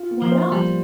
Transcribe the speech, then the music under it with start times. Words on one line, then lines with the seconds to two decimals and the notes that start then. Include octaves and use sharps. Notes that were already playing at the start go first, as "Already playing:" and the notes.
Why not?
Already playing: F4
0.11 A#3
0.22 F3
0.31 C5
0.52 F3 G3